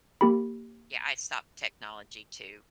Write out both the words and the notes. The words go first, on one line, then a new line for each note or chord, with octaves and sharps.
Yeah, I stopped technology too,
A#3 G4 B5